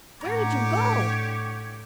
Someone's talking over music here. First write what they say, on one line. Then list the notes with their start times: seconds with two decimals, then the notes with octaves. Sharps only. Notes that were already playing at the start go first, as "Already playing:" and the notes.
"Where did you go?"
0.21 A2 D3 G4 C#5 F#5 A#5 D6